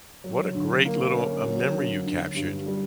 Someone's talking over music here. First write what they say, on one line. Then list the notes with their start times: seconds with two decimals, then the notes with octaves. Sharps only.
what a great little, uh, memory you captured.
0.24 F#3
0.55 D3
0.85 A#3
1.16 C#4
1.45 F#3
1.76 D3
2.06 D3
2.36 G2
2.66 G3